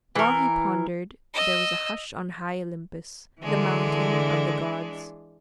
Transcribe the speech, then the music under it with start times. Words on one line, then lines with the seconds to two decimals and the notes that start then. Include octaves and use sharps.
While he pondered there was a hush on high Olympus, the mountain of the gods.
0.15 E3 A#4
1.34 D#5 E6
3.41 D3 E3 G#3 D4